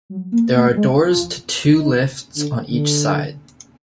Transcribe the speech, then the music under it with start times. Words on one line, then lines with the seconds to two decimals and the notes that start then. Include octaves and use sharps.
There are doors to two lifts on each side.
0.10 F#3
0.32 A#3
0.54 A#3
0.67 F#3
0.77 G#3
1.00 F3
1.67 D#3
2.35 D3
2.69 D3